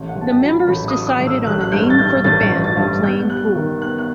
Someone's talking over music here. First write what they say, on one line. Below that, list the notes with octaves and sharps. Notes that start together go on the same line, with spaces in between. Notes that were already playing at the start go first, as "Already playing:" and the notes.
The members decided on a name for the band while playing pool.
Already playing: A1
F#5
A1
A5
G5
F#3
B5
A1 B5
D#6
F#3
D#6
A1
E6
A1 F#6
F#6
G2 G6
A6
G2 G6
A1 A6
A1
A6
G2
B3 G6
G3 F#6
D#3
B3 F#6
F#6